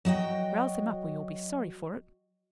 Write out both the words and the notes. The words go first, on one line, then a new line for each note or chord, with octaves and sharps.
"Rouse him up, or you'll be sorry for it."
F#3 F#4 D#5 G5